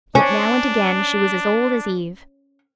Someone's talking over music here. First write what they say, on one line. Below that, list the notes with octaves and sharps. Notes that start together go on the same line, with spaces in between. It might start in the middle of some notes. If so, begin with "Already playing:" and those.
Yet now and again she was as old as Eve.
C#4 D4